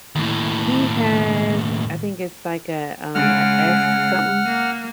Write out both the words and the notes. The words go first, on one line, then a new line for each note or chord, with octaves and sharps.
He has, I think it's like a, um, a S something.
D#2 A2
C#3 G#3 F#5 F6
A#3